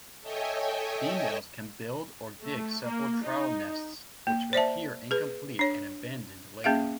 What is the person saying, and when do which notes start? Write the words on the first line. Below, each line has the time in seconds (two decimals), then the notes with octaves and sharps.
Females can build or dig several trial nests which appear incomplete and abandoned later.
0.22 A4 C#5 D#5 E5 G5 G#5
2.41 A3
2.84 A#3
3.24 D#4
4.27 A#3
4.53 C5 D5 E5 A5
5.11 G#4 B4
5.59 D4 C#5
6.64 A#3 C#4 G#4 E5 F5